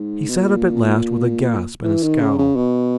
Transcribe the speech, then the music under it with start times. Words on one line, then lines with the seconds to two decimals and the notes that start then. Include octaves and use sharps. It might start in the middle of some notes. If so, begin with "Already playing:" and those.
He sat up at last with a gasp and a scowl.
Already playing: G#2
0.29 B2
0.39 A#2
1.84 E3
2.03 D#3
2.20 C#3
2.39 C#3
2.56 B2